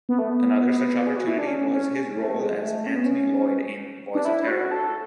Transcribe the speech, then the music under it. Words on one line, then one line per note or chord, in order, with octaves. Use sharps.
Another such opportunity was his role as Anthony Lloyd in "Voice of Terror".
B3
A3
B3
G#4
F#4
E4
D4
C#4
C#4
A3
G#3
A3
C#4
B3
C#4
D4
E4
F#4
A4